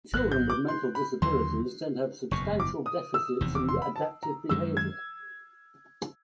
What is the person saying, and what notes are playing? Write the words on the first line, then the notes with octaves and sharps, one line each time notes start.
Children with mental disabilities tend to have substantial deficits in adaptive behavior.
G#1 F#2 C#3 F#3 F#6
G6
D6
C6
B5
D#2 D3 F#3 C6
F#1 E2 B2 C#6
D6
D#6
E6
F1 E2 C3 D#3
D6
C6
B5
A5
A#5
F#2 D#3 G#3 E6
G#6